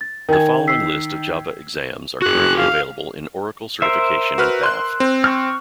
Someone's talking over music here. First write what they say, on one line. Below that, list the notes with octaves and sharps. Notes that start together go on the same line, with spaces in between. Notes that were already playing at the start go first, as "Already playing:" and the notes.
The following list of Java exams are currently available in Oracle certification and path.
A6
D#3 A#4 G#5 G#6
E6 B6 C7
F#4 G#4 F#6
F5
A#4 C5 E5
F#4 B4 F6
C6 F#6
C4
C#6 F6